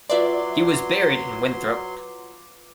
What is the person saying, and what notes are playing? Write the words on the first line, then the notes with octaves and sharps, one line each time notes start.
He was buried in Winthrop.
F#3 F4 B4 D5 E5 C6 D6